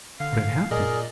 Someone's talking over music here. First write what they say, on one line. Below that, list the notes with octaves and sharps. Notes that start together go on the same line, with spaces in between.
What had happened?
D3 F5
A#2 G#4 A#4 D5 D#5